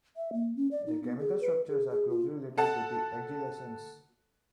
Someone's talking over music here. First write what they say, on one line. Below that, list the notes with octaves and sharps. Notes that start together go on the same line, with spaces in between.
Their chemical structures are closely related to the agelasines.
E5
A#3
C#4
D5
D#4
B3
G#4
B4
G#4
G#4
F4
A4 F#5 A5